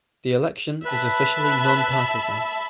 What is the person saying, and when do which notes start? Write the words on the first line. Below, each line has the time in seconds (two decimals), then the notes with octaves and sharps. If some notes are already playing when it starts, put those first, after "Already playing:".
The election is officially nonpartisan.
0.86 B4 E5 A5 B5